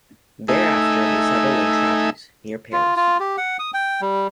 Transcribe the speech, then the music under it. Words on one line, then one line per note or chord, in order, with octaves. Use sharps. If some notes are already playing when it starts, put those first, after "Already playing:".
Thereafter they settled in Trappes, near Paris.
A3 D#4 E5 G#5
F4
F4
G4
F#5
D#6
G5
G3